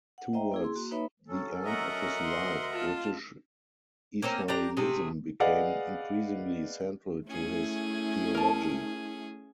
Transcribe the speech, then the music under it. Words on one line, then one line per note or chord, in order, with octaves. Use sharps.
Towards the end of his life British Israelism became increasingly central to his theology.
F#5
C5 D#5 E5 G5 A#5
A#3 E4 G#4
C6
A#3 F#4
A#3 D#4 B4 C#5 E5 B5
F#3 C#4 A4
A#4 D#5 E5 F#5 A#5
D2 C6
F4 A5
A#3 C4 C#4 A#4
D4 G4 A#5
C3 A3 G#4
G#4 B4 D5 D#5 F5 F#5
A3 C#4 E4 G#4
A#4 A5